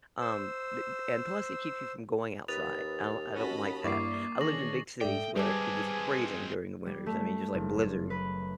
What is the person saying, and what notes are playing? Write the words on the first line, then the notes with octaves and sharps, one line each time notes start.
um, th and and plus it keeps you from going outside, I'll I don't like that. I lived in big cities where it was freezing during the winters, I mean, just like blizzard,
C5 E6
D#2 B4 D#6 A6 F7
C#4 F#4 D#5 A5 B5
G2 A#3 E4 D5 C#6 D6 C7
D#3 E3 D4 G#4 C#5 A#6 F#7
G#2 A4 D5 E5 G5
G3 G#3 C4 G#4 B4 A5 D6 G#6
G3
A3
F#1
B4